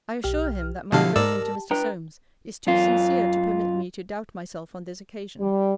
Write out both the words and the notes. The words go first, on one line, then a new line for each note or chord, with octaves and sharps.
'I assure him, that my aversion to Mr. Solmes is too sincere to permit me to doubt myself on this occasion.
B1 G4 F6
B2 D3 F3 F#3 E4 G4 F5 A5
G#2 A#4 D5 E6
D4 B4 G5 A#5
F#2 F4
G3